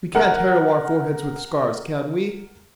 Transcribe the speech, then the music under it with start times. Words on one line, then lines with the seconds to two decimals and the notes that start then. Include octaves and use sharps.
We can't harrow our foreheads with scars, can we?
0.15 A#4 F#5